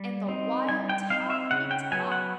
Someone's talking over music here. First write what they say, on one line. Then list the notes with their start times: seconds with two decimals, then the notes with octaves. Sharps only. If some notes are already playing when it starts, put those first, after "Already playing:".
And the wild talk he talked!
Already playing: G3
0.28 C4 D#4
0.69 G3 G#5
0.89 G5
1.10 C4 D#4 F5
1.30 E5
1.51 C#3 F#5
1.71 G5
1.92 F#3 B3 G#5
2.12 F#5